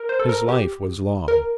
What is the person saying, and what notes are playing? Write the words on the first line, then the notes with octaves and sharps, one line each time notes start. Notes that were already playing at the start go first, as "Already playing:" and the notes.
His life was long.
Already playing: A#4
C5
A4
A#4
G4
A#4